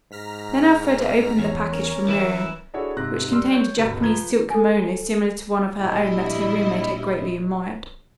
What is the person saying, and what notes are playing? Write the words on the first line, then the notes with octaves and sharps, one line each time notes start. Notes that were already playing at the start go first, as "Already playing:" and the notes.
Then Elfreda opened the package from Miriam, which contained a Japanese silk kimono similar to one of her own that her roommate had greatly admired.
G#2 A#5 F6 B6
E2 C#5
C#4 A#4
E3 E4
D4 E4 F#4 G#4 A4 C#5
G#2 C3 F#6 A#6
G3 C6 E6 F6
C#5 G6
G1 C#2 B2
F3 B4 A#5 G#6 G7
A4 G#5
A#1 G3 E4 D#5